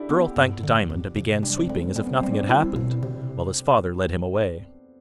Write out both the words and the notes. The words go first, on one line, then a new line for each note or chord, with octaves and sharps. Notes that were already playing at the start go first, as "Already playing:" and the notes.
The girl thanked Diamond, and began sweeping as if nothing had happened, while his father led him away.
Already playing: D4 E4 G4 A4
B3
G2
D3
F2
C3
G3 D4
C4
G3 A3
G3 B3
C4
G3
D4
E4
B2
C3